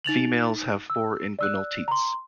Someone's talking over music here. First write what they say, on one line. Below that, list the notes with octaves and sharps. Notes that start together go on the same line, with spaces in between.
Females have four inguinal teats.
D#4 A6 F7 F#7
E6
D5 E6 F#6
A#5 C6